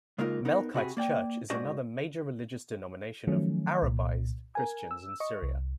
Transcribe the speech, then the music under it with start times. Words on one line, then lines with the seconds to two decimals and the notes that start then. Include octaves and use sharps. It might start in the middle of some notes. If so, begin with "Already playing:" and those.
Melkite Church is another major religious denomination of "Arabized" Christians in Syria.
0.18 C#3 G#3 A#3 D#4 F4 A#4
0.45 B3 D#4 A#4
0.74 C3 F#4 G#4 B5
0.97 A#3 D5 G5
1.50 G#2 C#4 F#4 C5 D5 D#5
3.27 D#3 F3 F#3 A3 C#4
3.82 C2 A#2
4.55 A#4 G#5
4.91 E6
5.20 D#5 C#6
5.42 C2